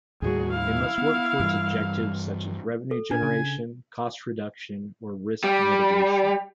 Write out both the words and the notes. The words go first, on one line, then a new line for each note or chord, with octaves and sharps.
They must work towards objectives such as revenue generation, cost reduction, or risk mitigation.
D#2 A2 G3 F#4 G#4
E4 F5
B3
G2 E3 G3
A4
A#2 D4 G#5
C#3
G3